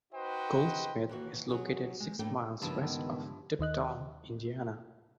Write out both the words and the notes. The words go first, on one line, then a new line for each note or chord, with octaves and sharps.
Goldsmith is located six miles west of Tipton, Indiana.
D#4 F#4 B4 C5 D#5 G5
D#2 E3 F#4
F#3 F#4 G#4
G#3
A2 G3 A3 A#3 D4 G5
C#2 G2 D#3 F3 B3 E4
D#2 D#3 D#5 F#6